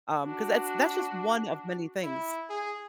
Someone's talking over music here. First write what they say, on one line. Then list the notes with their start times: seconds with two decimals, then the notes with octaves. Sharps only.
um 'cause that's that's just one of many things.
0.25 D4 F#4
2.03 E4
2.50 G#4